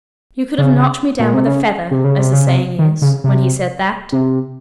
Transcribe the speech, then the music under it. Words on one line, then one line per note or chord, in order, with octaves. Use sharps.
You could have knocked me down with a feather, as the saying is, when he said that.
C#3
A#2
C3
C#3
C3
C#3
C3
C#3
C3
D#3
C#3
C3
C3